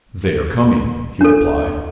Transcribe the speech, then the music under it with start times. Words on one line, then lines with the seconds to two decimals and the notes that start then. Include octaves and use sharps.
"They are coming," he replied.
1.21 D4 A4